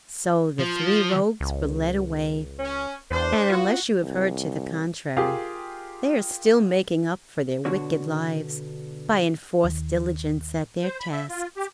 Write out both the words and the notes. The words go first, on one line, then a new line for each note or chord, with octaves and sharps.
So the three rogues were led away, and unless you have heard to the contrary, they are still making up for their wicked lives by enforced diligence at their tasks.
F3
C#2
C#4
E2 D4 C5
B3 F4 F#4
C2
F4 G4 G#4 A#4 F5
B2 D3 D4 F#4 C#5
D#2
C5
B5
E5
F4
G4